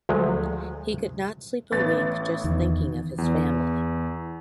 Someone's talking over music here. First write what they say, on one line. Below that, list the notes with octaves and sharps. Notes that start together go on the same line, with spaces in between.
He could not sleep a wink just thinking of his family.
D2 F3 F#3 G#3
A1 B3 A6
E2 D#3
E2